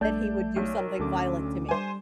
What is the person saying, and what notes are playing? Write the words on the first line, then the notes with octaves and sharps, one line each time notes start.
that he would do something violent to me.
A#1 G3 A3 D4 D5 G6
B1 C#5
A#4
D2 C#4 D4 A4 D6
G3 C5 G#5